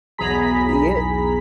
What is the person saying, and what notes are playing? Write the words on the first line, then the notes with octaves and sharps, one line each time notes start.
He is.
B1 E2 G#4 A#5 B5 B6